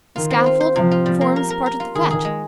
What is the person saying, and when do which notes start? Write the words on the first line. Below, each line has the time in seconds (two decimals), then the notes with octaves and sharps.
"The scaffold forms part of the fete."
0.16 D#3 F4
0.31 C4
0.46 F4
0.60 C5
0.76 C3 F3
0.91 F4
1.06 G3
1.21 A#3
1.36 A#4
1.50 A#4
1.66 A#4
1.80 F4
1.95 D#3 G#4
2.11 G#4
2.25 G#3